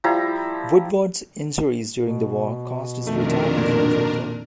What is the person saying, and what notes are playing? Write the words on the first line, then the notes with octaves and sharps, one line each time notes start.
Woodward's injuries during the war caused his retirement from football.
F3 G3 E4 A#5
B2
F2 D#3 A3 D4 A#4
A#2